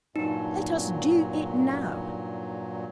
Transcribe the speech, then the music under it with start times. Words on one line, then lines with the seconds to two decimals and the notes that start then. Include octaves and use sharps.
'Let us Do It Now.
0.16 G2 A#2 F#3 D#4